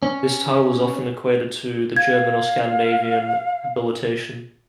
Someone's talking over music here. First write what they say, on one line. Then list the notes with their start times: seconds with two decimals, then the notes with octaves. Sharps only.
This title is often equated to the German or Scandinavian habilitation.
0.03 C#4
1.96 F5 G#6